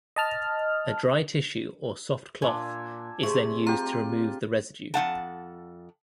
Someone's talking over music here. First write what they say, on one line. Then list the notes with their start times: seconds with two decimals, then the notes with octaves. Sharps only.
A dry tissue or soft cloth is then used to remove the residue.
0.16 D#5 A5 F6
2.42 A#2 D4 E5 G#5
3.23 C3 A3 G#4 C#6
3.67 F4 G4 A#5
4.94 F2 C4 F#5 A5